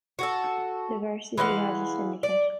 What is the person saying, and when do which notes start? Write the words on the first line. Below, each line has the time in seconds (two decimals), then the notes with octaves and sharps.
The varsity has a syndicate.
0.19 F#4 G#4 A4
1.38 E3 G#3 F5 F#5
2.23 D5